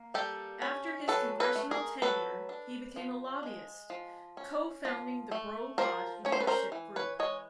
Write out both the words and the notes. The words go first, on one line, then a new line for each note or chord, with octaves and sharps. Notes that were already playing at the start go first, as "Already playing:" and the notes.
After his congressional tenure, he became a lobbyist, co-founding the Breaux-Lott Leadership Group.
Already playing: A#3
G3 G4 A4
C#4
F#3 A4 B4
A4 B4
A3
G#4 A#4
F#3 A4 B4
D4
F3
G#3
F3
C#4
F3
A3
F3 A#4 C5
C#4 C#5
C5
B4
A#4 C5
E3
B4 C#5
G#3 C#5 D#5